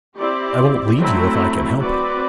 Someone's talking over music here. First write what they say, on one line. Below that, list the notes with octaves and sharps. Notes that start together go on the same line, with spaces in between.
I won't leave you if I can help it.'
C4 E4 G4 D5
F#3 A3 C4 E4
C4 F#4 B4 D5